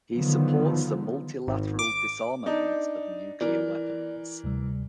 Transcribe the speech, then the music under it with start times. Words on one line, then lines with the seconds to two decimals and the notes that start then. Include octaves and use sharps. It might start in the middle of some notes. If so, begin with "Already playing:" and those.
He supports the multilateral disarmament of nuclear weapons.
0.15 D3 D#3 F3 F#3 B3
1.47 G#1
1.79 D6
2.46 D4 D#4
3.41 E3 A#4 D5
4.44 D2 C3 G3